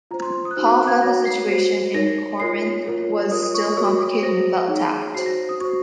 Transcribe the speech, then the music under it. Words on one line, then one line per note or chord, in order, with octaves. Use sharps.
Paul felt the situation in Corinth was still complicated and felt attacked.
F4 C5 A#5
C6
C6
D#6
F#6
D#4 F#4 C5 F6
F#6
G#6
F#4 C#5 A#6
C7
F#4 C5 C7
D#4 A#4 C#5 A#6
F4 A#4 C#5 C7
F4 A#4 C#5
F4 A#4 C#5 D#6
D#6
C#6
D#6
F#4 A#4 C#5 C#6
D#6
F#4 C5 A#6
D#4 G#4 C#5
F#4 C5 C7
A#6
D#6
F#4 C5 C#6